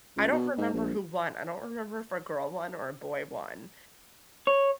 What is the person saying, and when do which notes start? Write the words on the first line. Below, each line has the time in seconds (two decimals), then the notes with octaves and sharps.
I don't remember who won. I don't remember if a girl won, or a boy won,
0.17 C#2
0.32 B2
0.58 G#2
0.74 A#1
4.47 C#5